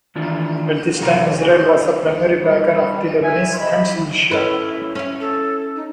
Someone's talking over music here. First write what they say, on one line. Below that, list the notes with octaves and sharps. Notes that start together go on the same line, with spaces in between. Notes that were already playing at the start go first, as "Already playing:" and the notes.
At this time, Israel was the primary backer of the Lebanese Front's militia.
D#3 E3 D4 F4
F#2 C3 F#4 A#4
B2 G3
A#2 E5 G#5
C3 D#5 B5
E4
C#4 E4 A4 B4
C#4 E4
A4
D#4